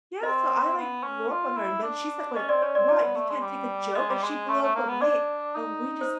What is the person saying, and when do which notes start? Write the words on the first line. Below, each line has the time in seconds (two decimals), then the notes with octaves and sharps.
Yeah, so I, like, blew up on her, and then she's like, going, "What? You can't take a joke?" And she blew up on me, and we just
0.23 C4 D#5
0.77 B3
1.03 C#4
1.29 F4
1.57 E4
1.83 D4
2.35 C#4 D#5
2.49 C4 D5
2.62 C#4 C#5
2.75 C4 D5
2.89 F4 D5
3.02 B3
3.16 A3
3.29 G#3
3.42 G3
3.95 G#3 D#5
4.09 G3
4.23 G#3
4.49 A3
4.62 A3
4.75 A#3
4.88 B3
5.01 D4 D5
5.55 D#4
6.01 C5